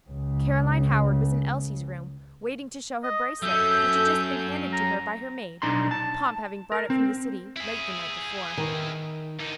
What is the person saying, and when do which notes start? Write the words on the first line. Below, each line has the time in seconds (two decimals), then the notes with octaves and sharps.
Caroline Howard was in Elsie's room, waiting to show her bracelet, which had just been handed to her by her maid; Pomp having brought it from the city late the night before.
0.10 C#2 C#3
3.04 D#5
3.43 F#3 C#4 A4 E5 G6
4.73 A#5
5.62 B1 F2 D4 D#4 A#5 C6
5.91 A5
6.72 A#4
6.90 C4
7.56 E4 G#4
8.58 D#3
9.40 D3 D#4